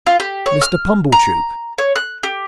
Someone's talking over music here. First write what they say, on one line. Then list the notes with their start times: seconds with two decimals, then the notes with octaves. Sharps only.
"Mr. Pumblechook."
0.07 F4
0.20 G4
0.46 C#5
0.62 F6
1.12 A#5
1.78 C#5
1.96 F#6
2.23 G4